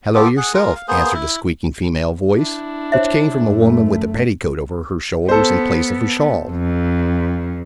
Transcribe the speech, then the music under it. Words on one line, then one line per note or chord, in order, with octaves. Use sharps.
"Hallo yourself!" answered a squeaking female voice, which came from a woman with a petticoat over her shoulders in place of a shawl.
B3 F4 G4 A4
G#4 F#5
G#3 F4 A#4
F5
A#3 B3 G#4 C5
E4
D4 E4
C5 C#5 E5
F#2 A3
B3 A4 C5
F2